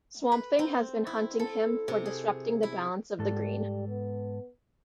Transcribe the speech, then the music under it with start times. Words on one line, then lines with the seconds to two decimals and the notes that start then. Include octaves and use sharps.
Swamp Thing had been hunting him for disrupting the balance of the Green.
0.32 B4
0.59 C4
1.07 E4
1.39 A4
1.88 C3
2.06 G#4
2.63 E4
3.19 G#2 G3 A4
3.88 B3